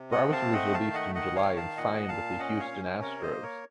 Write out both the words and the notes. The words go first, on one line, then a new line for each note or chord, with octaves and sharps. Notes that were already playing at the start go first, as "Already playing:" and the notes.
Brower was released in July and signed with the Houston Astros.
Already playing: C3
D#5 F#5
C4
F5 A5
A3 D#5 F#5
F5 A5
D#3
D#5 F#5
D#3 D#5 F#5
C#5 F5
D#3
F5 A5
A#2 D#5 F#5
A#2 F5 A5
C#4 D#5 F#5
C#5 F5
C#4
C3 A#4 C#5
C5 D#5
A#3
A#4 C#5